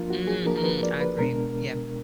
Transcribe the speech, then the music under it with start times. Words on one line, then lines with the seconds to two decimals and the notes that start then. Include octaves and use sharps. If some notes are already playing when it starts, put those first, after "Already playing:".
Mhm, I agree. Yeah.
Already playing: F3 A#3 D4 F4 A#4
0.10 F#4
0.27 G#4
0.46 F3 A#3 D4 A#4
0.58 A#4
0.64 B4
0.83 D5
1.00 B4
1.18 B2 G#3 B3 D4 A#4